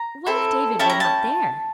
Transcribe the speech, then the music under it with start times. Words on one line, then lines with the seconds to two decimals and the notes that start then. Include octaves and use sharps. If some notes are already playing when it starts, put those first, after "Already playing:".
What if David were not there!
Already playing: A#5
0.26 C4 E4 A4
0.79 C#4 E4 G4 A5
0.90 A#5
1.00 A5